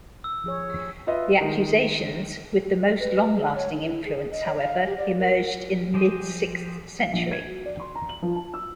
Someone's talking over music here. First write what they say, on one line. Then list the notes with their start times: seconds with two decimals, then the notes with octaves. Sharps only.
The accusations with the most long-lasting influence, however, emerged in the mid-sixth century.
0.24 E6
0.44 F3 G#4 C#5
1.07 F4 B4 D#5 E5
1.40 D#3 G#3 D#4
3.00 B4
3.36 G#4
3.55 C#5
3.72 D#4
3.84 E4
4.06 G#4
4.32 D#5
4.47 C#5
4.59 F5
4.86 G4
4.98 D5
5.19 A#4
5.94 F3 G4 G#4 C5 D#5
6.99 F5
7.13 A#1
7.31 G#6
7.46 F#4
7.65 D5
7.80 C6
7.95 A#5
8.09 F#7
8.22 F3
8.36 A5
8.54 E6